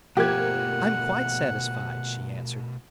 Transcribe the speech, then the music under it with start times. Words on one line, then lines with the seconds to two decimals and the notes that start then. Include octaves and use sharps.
"I'm quite satisfied," she answered.
0.17 B2 F3 A3 A#3 G4 F#5 G#6